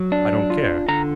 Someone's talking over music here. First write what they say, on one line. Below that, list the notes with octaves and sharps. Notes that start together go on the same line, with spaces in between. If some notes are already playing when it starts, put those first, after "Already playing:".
I don't care.
Already playing: F#3
D4
F4
D3 A#5